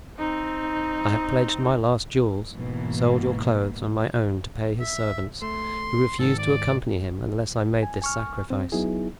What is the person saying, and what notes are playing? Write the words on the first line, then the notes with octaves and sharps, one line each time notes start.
I have pledged my last jewels, sold your clothes and my own to pay his servants, who refused to accompany him unless I made this sacrifice.
C4 D#4
G#2 B2 E3 A#3
E5
A3 C6
G#2 D#3 A4
D5
G#5
G#5 C#6 F6
C4
F#3 B3 D#4 E4 G#4